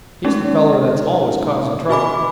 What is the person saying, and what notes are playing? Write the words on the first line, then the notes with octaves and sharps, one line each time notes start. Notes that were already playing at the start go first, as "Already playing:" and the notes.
He's the feller that's always causin' trouble.
G#3 C#4 D#4
F#4 G#5 B5 D6